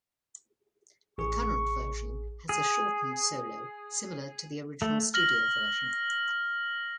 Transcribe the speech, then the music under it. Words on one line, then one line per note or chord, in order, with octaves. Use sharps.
The current version has a shortened solo similar to the original studio version.
A1 G#4 C#6
G#4
A3
F6 A#6 F#7